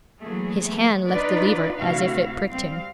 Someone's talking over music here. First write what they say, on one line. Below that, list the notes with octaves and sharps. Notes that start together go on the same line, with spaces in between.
His hand left the lever as if it pricked him.
E3 F#3 A3 A#3 G#4
A3 B3
D4 D#4 F4 B4 D5
D2 C3 E4 F#4 F5
G3 C4 F5